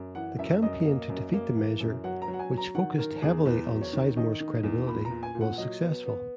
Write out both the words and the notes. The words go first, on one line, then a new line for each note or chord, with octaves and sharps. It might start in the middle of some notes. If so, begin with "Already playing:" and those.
The campaign to defeat the measure, which focused heavily on Sizemore's credibility, was successful.
Already playing: F#2
E3 F#5
F#2 E5
F#2 D#5
A#3
F#2
A#3
E3
F#2
F#3 F#5
A#5
F#3
F#5
G#5
F#3
A#5
D#3 F#5
D#3 A#4
E2 G#4
E2 B4
F#3
C#5
D#3
D#3 D#5
D#3
E2
A#2 B5
A#5
A#2
G#5
A#2
F#5
F#3 D#5
B3
B3